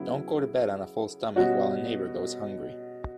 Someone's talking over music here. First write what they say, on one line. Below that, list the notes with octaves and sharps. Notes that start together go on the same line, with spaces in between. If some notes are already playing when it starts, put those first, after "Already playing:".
Don't go to bed on a full stomach while a neighbour goes hungry.
Already playing: C#3 F#3 B3 E4
B2 G3 C#4 F#4